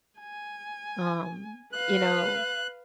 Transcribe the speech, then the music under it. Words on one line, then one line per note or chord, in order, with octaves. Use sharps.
um, you know,
G#5
B4 F5 F#6